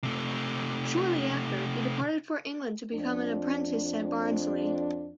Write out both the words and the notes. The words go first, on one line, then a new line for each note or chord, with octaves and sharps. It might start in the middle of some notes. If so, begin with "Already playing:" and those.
Shortly after, he departed for England to be an apprentice at Barnsley.
C3 A3
F2 D4